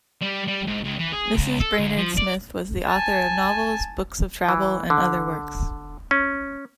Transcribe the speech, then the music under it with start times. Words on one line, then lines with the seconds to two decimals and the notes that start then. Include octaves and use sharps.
Mrs. Brainerd Smith was the author of novels, books of travel and other works.
0.22 G3
0.48 G3
0.68 G#2
0.85 C#2
0.99 E3
1.13 G#4
1.35 C#2
1.60 A4
1.79 D2
1.98 F3
2.17 D5
2.87 G#5 A5
4.49 E3
4.90 D3
6.11 C#4